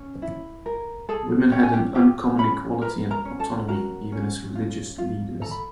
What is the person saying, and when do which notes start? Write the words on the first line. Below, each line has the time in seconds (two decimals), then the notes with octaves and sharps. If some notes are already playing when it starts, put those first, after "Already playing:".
Women had an uncommon equality and autonomy, even as religious leaders.
Already playing: C#4
0.22 E4
0.66 A#4
1.09 G#4 A4 A5
1.52 C#4 G5
1.63 G#5
1.73 G4 G5
1.95 F4 G4 G5
2.38 C#4 B4 B5
2.82 A#4 B4 A#5
3.11 A#4 A#5
3.25 C#4
3.39 A4 A5
3.68 F#4 A#4 A#5
4.12 C#4
4.55 F4
4.98 F4
5.41 A4 A#5
5.51 B5